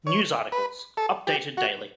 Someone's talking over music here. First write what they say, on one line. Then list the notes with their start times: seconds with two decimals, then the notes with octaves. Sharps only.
News articles, updated daily.
0.07 C#5
0.52 B4
0.97 A4
1.27 G4
1.57 F#4